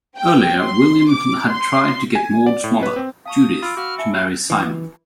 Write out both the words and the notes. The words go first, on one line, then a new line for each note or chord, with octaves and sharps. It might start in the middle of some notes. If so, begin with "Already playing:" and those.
Earlier, William had tried to get Maud's mother, Judith, to marry Simon.
G5
C6
D6
C6
G#5
D5
A2
B4
C4
F5 A5 C#6 D#6
F4 B5 E6 D7
F#4 F5 D6 F6
E5 G#5 A5 C#7
F#3 G4 C#5 E5 F5
E3